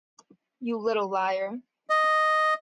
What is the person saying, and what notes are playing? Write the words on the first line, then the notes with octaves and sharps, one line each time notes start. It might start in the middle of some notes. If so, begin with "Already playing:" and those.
You little liar!
D#5